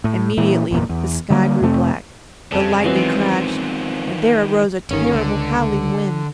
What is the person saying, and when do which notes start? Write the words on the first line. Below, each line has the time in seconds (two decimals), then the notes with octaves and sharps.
Immediately the sky grew black, the lightning crashed, and there arose a terrible, howling wind.
0.04 A2
0.37 A#2 E3
0.71 G1 E2 A#2
0.89 E2
1.30 D3 G3 A3 A#3
1.61 F2 C3 A3 C4
2.52 F2 C#3
2.84 E3 F#3 G#3 B3 C4
2.96 D#3 F3
4.91 G1 D#3 C#4
5.12 C#2 D3